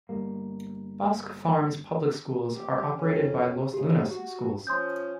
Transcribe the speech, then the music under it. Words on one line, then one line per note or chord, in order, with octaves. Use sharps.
Bosque Farms' public schools are operated by Los Lunas Schools.
G1 G3 A#3
G4
F2 C#4
G#2 C#3 G4
F#4
F3 C#4 C6 D#6 G6